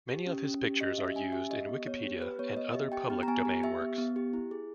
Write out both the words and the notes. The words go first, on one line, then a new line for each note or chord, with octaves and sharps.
Many of his pictures are used in Wikipedia and other public domain works.
G4
C#4
C#4
G4
G4 D#5
C#4 E5
C#4 G#5
G4 E5
G4 D#5
B3
B3 C#5
G4
G4 B4
B3 C#5
B3 D#5
G4 E5
G4 G5
B3
A#5
B3 G#5
G4
G4 E5
B3
B3
G4
E4
G#4